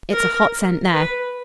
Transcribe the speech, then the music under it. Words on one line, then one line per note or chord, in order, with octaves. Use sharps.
It's a hot scent there.
A#4
B4